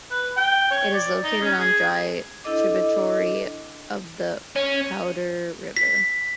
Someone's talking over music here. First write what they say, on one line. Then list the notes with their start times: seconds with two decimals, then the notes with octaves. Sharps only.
It is located on a dry tributary of the Powder River.
0.11 B4
0.37 G5
0.71 C#5
0.93 D5
1.23 D#4
1.41 C#4
1.59 G#4
2.44 D4 E4 A4 D#5 D6
4.56 C#4
5.77 B6